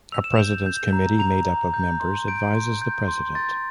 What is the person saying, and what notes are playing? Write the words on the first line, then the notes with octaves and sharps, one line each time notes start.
A President's Committee, made up of members, advises the president.
E6 F7
E7
G6 F7
G6
A#5
A#5 F7
A#5
G6
C6
G6 D7
C6
G6
C6
C6 A6